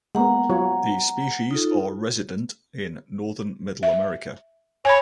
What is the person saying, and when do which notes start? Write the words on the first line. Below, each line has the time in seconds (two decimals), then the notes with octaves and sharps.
These species are resident in northern Middle America.
0.15 G#3 A#3 B3 F#5 A#5
0.50 F#3 F4 C#5
1.51 D#4 F4 A4
3.83 E5
4.85 C#5 G#5 B5